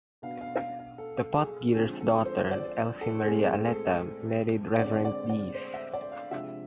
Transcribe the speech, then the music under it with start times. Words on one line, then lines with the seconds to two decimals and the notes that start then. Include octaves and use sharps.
The Potgieters' daughter Elsie Maria Aletta married reverend Ds.
0.22 B2 B3 D4 F5
0.41 F5
0.61 F5
0.79 F5
0.98 A4
1.37 G#4
1.74 D3 F3 G#3 C4 G#4
2.01 A4
2.25 C5
2.51 D5
3.01 A4
3.26 A2 G#3 C4 G#4
3.65 A4
4.78 D3 G#3 C4 D5
5.05 D5
5.30 D5
5.55 C5
5.74 E5
5.93 D5
6.11 F5
6.31 C3 F3 G#3 D4 E5